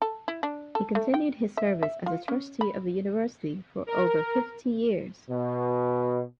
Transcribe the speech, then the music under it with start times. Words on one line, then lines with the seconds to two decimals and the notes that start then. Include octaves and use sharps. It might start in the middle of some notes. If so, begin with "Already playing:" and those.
He continued his service as a Trustee of the University for over fifty years.
0.02 A4
0.28 E4
0.43 D4
0.75 A4
0.95 A3
1.14 G5
1.57 E5
1.83 E5
2.06 F4
2.28 C#4
2.61 B5
3.87 A#4
5.29 B2